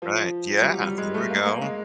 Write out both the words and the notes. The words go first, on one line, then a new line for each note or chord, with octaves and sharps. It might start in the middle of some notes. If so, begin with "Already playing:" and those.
Right. Yeah. There we go.
F3
G3
F#3
G3
G#3
A3
A#3
A#3
G#3